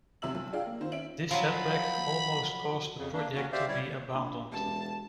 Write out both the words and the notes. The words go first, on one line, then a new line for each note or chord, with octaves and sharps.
This setback almost caused the project to be abandoned.
B1 C3 E5 E6 F#7
B1
D4 F4 G#4 F5 G5
A#3
D#3 F4 C5
C#4 E5 D7 F#7
F3 F#3 B5
F2 C#3
A#3 D4
A#3 C#4 F#4
G4 C5 D5 E5 F5
G3 E4 C#5 D5
A#1 B5
E1 G#3 C#4 G4 A5